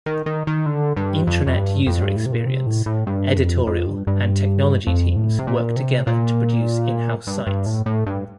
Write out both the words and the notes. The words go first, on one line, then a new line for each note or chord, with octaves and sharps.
Intranet user-experience, editorial, and technology teams work together to produce in-house sites.
D#3
D#3
D#3
D3
G2
F2
F2
G2
F2
G2
A2
C3
A#2
C3
A2
A2
G2
F2
F2
G2
G2
F2
A2
C3
A#2
C3
A#2
G2
G2
A2
A2
G2